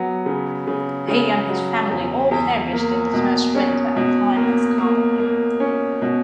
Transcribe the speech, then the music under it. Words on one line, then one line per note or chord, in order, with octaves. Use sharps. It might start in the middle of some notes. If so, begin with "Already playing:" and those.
He and his family all perished in the first winter at Plymouth Colony.
Already playing: F#3 B3
C#3
C#3
C#3
F#3
E2
E2
A#3
B2
C#4
B2
A#3
A#3
A#3
C#4
B2